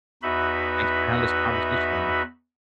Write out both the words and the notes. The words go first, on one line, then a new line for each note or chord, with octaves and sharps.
thanks for having this conversation with me.
E2 D#4 F#4 B4 E5 B5